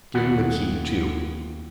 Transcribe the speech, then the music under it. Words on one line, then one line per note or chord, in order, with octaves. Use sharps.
Give him the key too.
D#2 E4 F#5